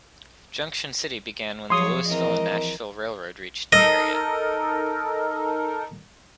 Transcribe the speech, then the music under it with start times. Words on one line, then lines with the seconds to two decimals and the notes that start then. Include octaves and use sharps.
Junction City began when the Louisville and Nashville Railroad reached the area.
1.70 F3 F#3 G#4 C#5 C6 D#6
2.07 E3 C4 A#4 D#5
3.73 D#4 A4 A#4 D#5